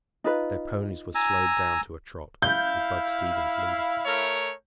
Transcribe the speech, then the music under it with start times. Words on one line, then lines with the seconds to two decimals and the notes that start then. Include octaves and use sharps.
Their ponies were slowed down to a trot, with Bud Stevens leading.
0.24 D#4 F4 B4
1.15 G#5 A#5 E6
2.42 E4 F5 G6
4.05 A3 A#4 C#5